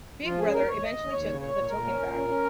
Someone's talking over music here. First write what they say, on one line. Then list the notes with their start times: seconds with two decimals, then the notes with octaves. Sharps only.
Big Brother eventually took the token back.
0.24 F3 F4
0.39 C#3 G#4
0.54 D#2 A#4
0.68 D#2 C#5
0.83 D#2 D#5
0.98 D#2
1.12 D#2 C#5
1.26 C#3
1.40 A#2 C#5
1.55 A#2
1.70 A#2 A#4
1.84 C#4
1.99 A#2
2.14 C#4
2.28 C#4